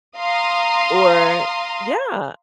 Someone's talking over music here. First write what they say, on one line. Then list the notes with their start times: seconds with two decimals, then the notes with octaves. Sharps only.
or Yeah,
0.19 F5 A#5 C6 D#6